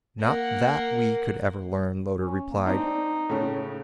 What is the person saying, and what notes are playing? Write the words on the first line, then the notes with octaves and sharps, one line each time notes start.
"Not that we could ever learn," Loder replied.
A#3 F#5
C#4
A#3
C4 D4 D#4
A2 C#3